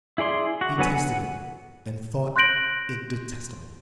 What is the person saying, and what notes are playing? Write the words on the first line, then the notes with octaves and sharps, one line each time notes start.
He tasted it, and thought it detestable.
E4 G#4 D5 C6
F#4
D3 F#3 B3 G#5
F#5
C6 F#6 G6 A#6 D7 F#7